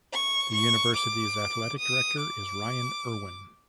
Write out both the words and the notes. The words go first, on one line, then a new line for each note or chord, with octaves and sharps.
The university's athletic director is Ryan Erwin.
C#6
C#6
D6
D#6
D6